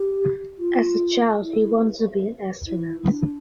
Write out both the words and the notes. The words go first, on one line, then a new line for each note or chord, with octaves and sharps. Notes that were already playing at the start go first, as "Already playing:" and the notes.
As a child he wanted to be an astronaut.
Already playing: G4
F4
E4
E4
D4